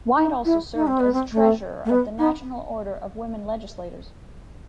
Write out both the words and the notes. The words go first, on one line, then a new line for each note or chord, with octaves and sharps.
White also served as treasurer of the National Order of Women Legislators.
D#4
E4
D#4
C4
B3
C4
A3
A3
B3
D#4